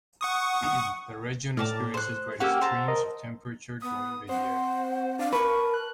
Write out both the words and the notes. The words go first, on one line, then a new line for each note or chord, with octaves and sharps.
The region experiences great extremes of temperature during the year.
F#5 C#6 D#6
A2 A#4 D5 A5
C5 F#6
A#3 C#4 G4 F#5 E6
C5 A5 A#5
A#4 D#5
B3 D#6
C4 C5 F#5
D4 F5
A#4 B4 A5 C#6
F#6